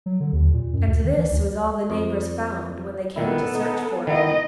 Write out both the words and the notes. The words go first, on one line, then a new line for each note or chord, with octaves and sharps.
And this was all the neighbors found when they came to search for him.
F#3
D3
D#2
A#2
F#2
D2
D#3
E3
D2
F2
A#2 D#3 B3 E4 A4
D#4
D#3 B3 E4 D#5